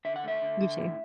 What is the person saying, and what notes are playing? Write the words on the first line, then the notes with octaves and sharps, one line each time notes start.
You too.
D3 E5
F#5
A3 E5
D3
D3
A2